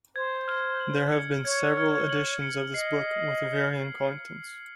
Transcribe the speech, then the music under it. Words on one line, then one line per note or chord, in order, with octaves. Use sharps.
There have been several editions of this book with varying contents.
C5 G#6
F6
F#7
C#7
C#5 G#6
F6
F#7
C#7
D#5 C7